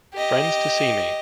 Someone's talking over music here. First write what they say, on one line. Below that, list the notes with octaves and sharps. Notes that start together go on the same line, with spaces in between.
Friends to see me!
G4 D#5